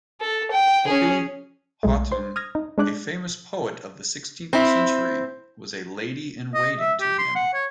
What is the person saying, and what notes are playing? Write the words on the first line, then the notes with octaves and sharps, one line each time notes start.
Hubbi Hatun, a famous poet of the sixteenth century, was a lady-in-waiting to him.
A4
G5
C#4 G#4
B1 G#3 A3
C5 C6
D#6 F6 G#6 A#6
D#4
G#3 D4 D6 F#6
C4 E4
D#5
E5
G4
C6
F#5
C#5